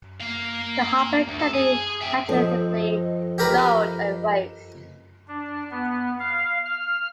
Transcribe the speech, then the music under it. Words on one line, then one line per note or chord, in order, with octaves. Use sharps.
The hopper can be hydraulically lowered and raised.
A#3 F5
D2
A4
G#4
E5 G5
F3 C4 A4 D#5
G4 A#4 B4
D4
B3
F5
F6